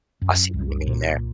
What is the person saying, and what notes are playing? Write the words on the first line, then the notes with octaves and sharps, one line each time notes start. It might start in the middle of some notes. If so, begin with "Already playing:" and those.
I see what you mean there.
F#2
C2
A#2